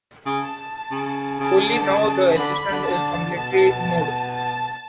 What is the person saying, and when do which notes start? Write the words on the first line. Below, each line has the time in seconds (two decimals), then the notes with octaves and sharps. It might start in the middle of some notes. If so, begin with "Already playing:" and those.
Only now the assistant is completely nude.
0.26 C#3
0.43 A5
0.91 C#3
1.40 C#3 A5
1.56 C#3
1.72 D3
1.88 C#3
2.37 D3 B5
2.71 D3
2.87 D3 A5
3.36 B2 A5
3.53 B2
3.68 B2
4.33 A5